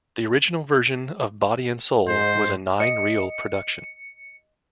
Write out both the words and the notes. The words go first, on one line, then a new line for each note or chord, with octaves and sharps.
The original version of "Body and Soul" was a nine-reel production.
G#2 C5
D#5 C#7